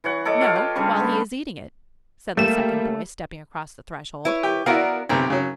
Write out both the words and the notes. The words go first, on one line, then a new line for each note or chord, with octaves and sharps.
'No, while he is eating it,' said the second boy, stepping across the threshold.
E3 C#5 F#5
A4 C#5 D#5 D6
F4 F5
G4
C#3 G3 D4 C#6
B3
G3 A3 A#3 E7
E4 B4 C#5
G4
B3 E4 F#4 A#4 D5 F5
B1 C3 G5 A#5
C#3 F#3